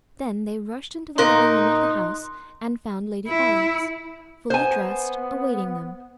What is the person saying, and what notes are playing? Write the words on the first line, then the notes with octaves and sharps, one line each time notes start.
Then they rushed into the living room of the house and found Lady Aurex, fully dressed, awaiting them.
A#2 D#4 A#4 C6 F#6
E4
B3 C5 G#5